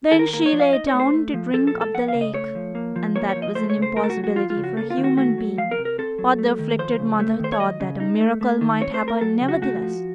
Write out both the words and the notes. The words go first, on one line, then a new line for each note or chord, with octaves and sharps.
Then she lay down to drink up the lake, and that was an impossibility for a human being, but the afflicted mother thought that a miracle might happen nevertheless.
D#3 A4
A#4
A#3 A#4
C#5
F3
F5
D#4 D#5
C#5
A3
C5
A3
F3
F3 A4
A4
A#2
A4
F3 F#5
F5
C#3
D#5
A3 C#5
F3
A#3
F3
A#3 C#5
C#5
F3
D#5
A3 C5
C#5
C#3
C5
A3 A#4
A4
F#4
F#3
F#4
F3 F4
F4
C#3
F#4
A#3 A4
F4
D#3
F#4
A3 F#4
F#3
F3 F5
A#4
C3
A#4
C4 A4
F#3
A3
D#3
F3 C5
C#3
A3
D#3 C5
C#5
F#3 D#5
C#3
D#4
A3
A3
D#3
C4 C#5
C5
A3
A#4
F#3 A4
C#3
F#4
A3 F#4
F3